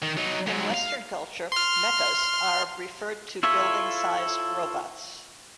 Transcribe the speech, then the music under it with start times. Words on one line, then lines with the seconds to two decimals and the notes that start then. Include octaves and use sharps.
In Western culture, mechas are referred to building sized robots.
0.02 D#3
0.17 F#3 D#4
0.47 G#2 F#3
0.74 F5
1.52 C6 F6
3.43 E4 F4 A4 C#5 E5